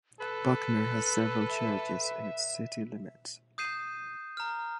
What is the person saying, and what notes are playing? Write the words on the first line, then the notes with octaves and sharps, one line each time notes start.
Buckner has several churches in its city limits.
A4 B4 F#6
E5
D#6 G6 C7 D#7 E7
A#5 F6